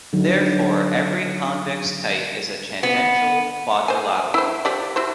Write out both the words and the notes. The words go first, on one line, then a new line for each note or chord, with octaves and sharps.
Therefore, every convex kite is a tangential quadrilateral.
D3 F#3 D#4
B3
C5 G#5
E4 C5
F3 G4 D5
E4 F#4 C5